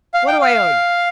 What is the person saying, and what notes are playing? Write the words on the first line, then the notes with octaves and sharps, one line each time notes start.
"What do I owe you?"
F5
G5
F5